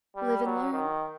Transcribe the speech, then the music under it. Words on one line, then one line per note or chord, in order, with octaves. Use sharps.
Live and learn.
G3
F#3
D#3